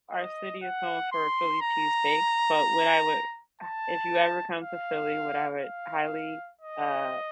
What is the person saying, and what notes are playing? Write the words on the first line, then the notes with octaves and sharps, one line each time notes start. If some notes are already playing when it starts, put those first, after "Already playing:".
our city is known for Philly cheesesteaks, but what I would uh, if you ever come to Philly, what I would highly, uh,
D#5
F#5
C6
A#5
A5
F5
F5
D#5